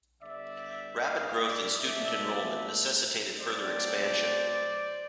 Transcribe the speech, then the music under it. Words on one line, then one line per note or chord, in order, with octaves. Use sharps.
Rapid growth in student enrollment necessitated further expansion.
D3 G3 B3 D5 E5
D#5 F5
D5 E5
B2 F#3 A3 D5 E5
B2 F#3 A3 C4 C5 D5